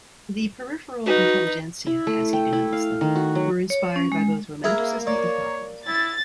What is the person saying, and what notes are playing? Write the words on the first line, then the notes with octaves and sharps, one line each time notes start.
The peripheral intelligentsia, as he denotes them, were inspired by both romanticism and populism.
D#4 F#4 B4
E4
A3
G5
E4
F5
D#3
F#4
F#3
C#5
C#4
G#3
A#3 E4 G#4 A#4
C#5 D5
E4 A6